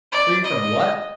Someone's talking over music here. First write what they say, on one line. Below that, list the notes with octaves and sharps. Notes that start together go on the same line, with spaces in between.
Free from what?
D5
D#5